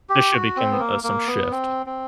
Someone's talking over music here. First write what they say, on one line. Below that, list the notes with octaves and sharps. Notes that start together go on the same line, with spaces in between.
This should become, uh, some shift.
G4
F#4
C4
B3
A#3
A#3
B3
C4
C4